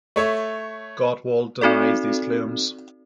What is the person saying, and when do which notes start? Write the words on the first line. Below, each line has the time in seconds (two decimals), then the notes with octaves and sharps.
Gottwald denies these claims.
0.16 A3 C#5 E5
1.61 C4 D#4 F#4 A4 D5